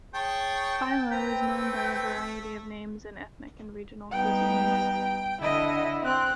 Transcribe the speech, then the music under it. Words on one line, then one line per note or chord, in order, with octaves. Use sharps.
Filo is known by a variety of names in ethnic and regional cuisines.
G#4 C#5 G5 A5 C#6
C4 B4 G5 A#5
A3 E6
G3 B3 D#4 G5
D3 E4 D#5
C4 F#6